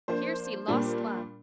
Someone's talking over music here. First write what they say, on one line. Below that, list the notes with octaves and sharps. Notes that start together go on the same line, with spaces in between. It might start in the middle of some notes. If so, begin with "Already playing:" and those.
Here see lost love.
F3 A#3 D4 C5
A#2 G3 A#3 D4